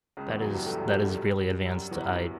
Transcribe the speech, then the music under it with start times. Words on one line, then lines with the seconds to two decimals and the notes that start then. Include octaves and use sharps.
That is that is really advanced I
0.17 C#2 C#3
0.29 E2 E3
0.41 F#2 F#3
0.54 G2 G3
0.66 A2 A3
0.91 G2 G3
1.66 F#2 F#3
1.91 E2 E3